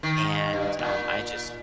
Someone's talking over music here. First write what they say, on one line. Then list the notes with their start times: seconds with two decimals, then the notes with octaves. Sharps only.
and, um, I just
0.03 D#3
0.53 G2
0.79 A#2